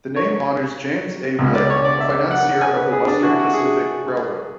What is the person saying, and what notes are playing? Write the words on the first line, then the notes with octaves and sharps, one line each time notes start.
The name honors James A. Blair, a financier of the Western Pacific Railroad.
C#5
C#2 B2 G#3
D5
C#5
D5
E5
F#5
G#5
B4
G#4
D4
F#4
E4
F#4
G#4